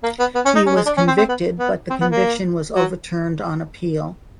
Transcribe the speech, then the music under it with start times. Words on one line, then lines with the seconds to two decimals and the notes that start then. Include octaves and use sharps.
He was convicted but the conviction was overturned on appeal.
0.03 A#3
0.19 B3
0.35 B3
0.45 C#4
0.56 D#4
0.66 C#4
0.76 G#3
0.86 D4
0.97 C#4
1.07 C4
1.18 C4
1.29 B3
1.59 B3
1.90 C4
2.01 B3
2.11 A#3
2.75 F#3